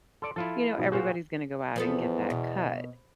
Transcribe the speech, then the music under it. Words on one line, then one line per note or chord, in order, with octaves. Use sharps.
everybody's gonna go out and get that cut.
A4 D5 C6
F3 E4 F4 A4
G#2 B2 F#3
A#2 F#4 G#4 C5 F5
E2 F3 B3 A4
B2